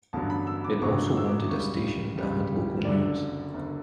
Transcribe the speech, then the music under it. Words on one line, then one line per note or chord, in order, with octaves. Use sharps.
It also wanted a station that had local news.
A1 G2 D3 F#3 A5
B5
E6
D6
A1 G2 D3 F#3 C#6
E6
D6
C#2 C#3 G3 C#6
C#2 C#3 G3
F#1 F#2 D3 D5
F#1 F#2 D3